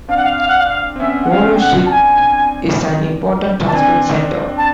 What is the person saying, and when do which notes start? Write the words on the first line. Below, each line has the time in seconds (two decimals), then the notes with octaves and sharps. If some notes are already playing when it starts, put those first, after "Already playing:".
Volochysk is an important transport center.
0.09 C4 D4 F5
0.17 F#5
0.25 F5
0.38 F5
0.48 F#5
0.59 F5
0.69 F5
0.96 C4
0.99 B3 C#4 E5
1.24 F#5
1.31 C#4 F5
1.45 C4 D4
1.55 G5
1.60 F#5
1.86 A5
1.91 G#5
3.67 A5
3.73 C4 D4 G#5
4.58 A5